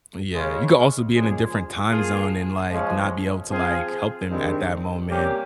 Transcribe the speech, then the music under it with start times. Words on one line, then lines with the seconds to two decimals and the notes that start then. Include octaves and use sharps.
Yeah, you could also be in a different time zone, and, like, not be able to, like, help them at that moment.
0.32 C#3 G#3 C#4
1.11 A#2 F3 G#3 C#4 G#4
1.90 F3 A#3 F4 G#4
2.70 F3 G#3 C#4
3.50 F3 C4 F4 G#4
4.29 G2 D#3 G#3 C4
5.08 C3 G3 A#3 C#4 G4